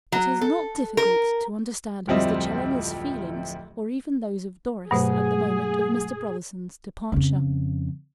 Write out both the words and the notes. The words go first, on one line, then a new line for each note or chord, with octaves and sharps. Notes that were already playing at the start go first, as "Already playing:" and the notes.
It is not difficult to understand Mr. Challoner's feelings or even those of Doris at the moment of Mr. Brotherson's departure.
F#3
A4
A#4
D1 F2 G3 C4 D#5 E5
G2 B2 F#3 A3 G#4 C5 F#5
F2 C#3